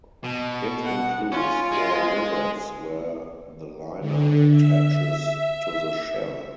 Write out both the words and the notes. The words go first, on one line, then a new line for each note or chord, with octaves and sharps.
It includes four rivets where the liner attaches to the shell.
B2
F#5
C#4 F4
G#3
D3
E5